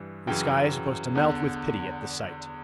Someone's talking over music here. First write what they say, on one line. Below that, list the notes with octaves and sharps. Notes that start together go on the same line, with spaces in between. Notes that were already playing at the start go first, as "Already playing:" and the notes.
The sky is supposed to melt with pity at the sight.
Already playing: G2 E3
F#2 C#3 E3 G5
E2 D3